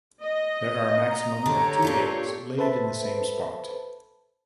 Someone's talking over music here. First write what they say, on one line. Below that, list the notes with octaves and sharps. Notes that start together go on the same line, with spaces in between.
There are maximum of two eggs laid in the same spot.
D#5
A#5
D3 G4 A4 C#5
A#2 D4 F4
A4 B4 C5 E5 A5 B5